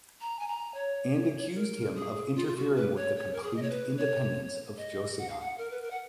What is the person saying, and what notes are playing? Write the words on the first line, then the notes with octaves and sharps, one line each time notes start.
And accused him of interfering with the complete independence of Joseon.
A#5
G#5
A#5
C#5
A#4
G#4
F4
F4
F#4
B4
C#5
C#5
A#4
G#4
D#5
C#5
B4
C#5
D#5
F#5
F5
F#5
A#4
B4
A#4
F#5